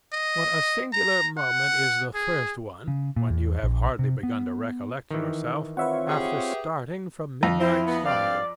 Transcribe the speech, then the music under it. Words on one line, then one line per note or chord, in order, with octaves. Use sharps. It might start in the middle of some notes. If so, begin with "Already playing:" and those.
What a singular moment is the first one, when you have hardly begun to recollect yourself, after starting from midnight slumber!
D#5
A#5
F#5
G#4
C#3
A#2
E2
A#1
C3
B3
D#3 E3
C4 F4 B4 C#5 E5 F#5
G4 G#4
F2
C4 E4 C5
B3
G2 C4 D5 F5